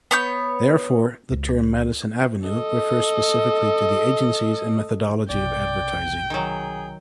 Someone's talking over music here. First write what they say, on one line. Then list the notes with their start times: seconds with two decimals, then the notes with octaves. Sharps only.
Therefore, the term "Madison Avenue" refers specifically to the agencies, and methodology of advertising.
0.11 B3 C#5 G6
1.31 C#2
2.47 A4 D#5
5.30 B1 C3 D5 G5
6.30 D#3 F#3 G#4